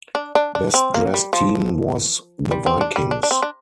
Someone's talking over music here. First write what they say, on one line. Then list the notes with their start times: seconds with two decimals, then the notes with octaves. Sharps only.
Best dressed team was "The Vikings"!
0.15 D4
0.35 D4
0.55 D4
0.74 C4
0.94 A#3
1.14 G3
1.33 F3
2.51 G3
2.66 C4
2.81 D4
2.96 G3
3.11 D4
3.23 D4
3.31 C4
3.43 D4